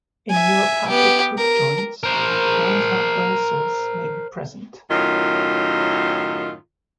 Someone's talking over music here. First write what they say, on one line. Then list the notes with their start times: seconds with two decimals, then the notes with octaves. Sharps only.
In neuropathic foot joints, plantar ulcers may be present.
0.30 E5 G#5
0.87 B3 G4
1.38 A#4
2.03 A#4 C5
4.91 F#2 A2 D#3 F4